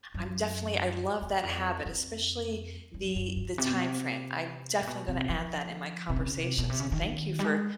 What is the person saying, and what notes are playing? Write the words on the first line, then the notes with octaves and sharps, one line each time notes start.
I'm definitely I love that habit, especially the the timeframe. I'm definitely gonna add that in my conversation, so thank you for
F#2
E2
F2
F2
F#2
F#2
G2
C3
B2
C3
A#2
B2
C3
F3
C3
C#3
C3
B2
C3
C#3
D#3
D#3
G3
G#3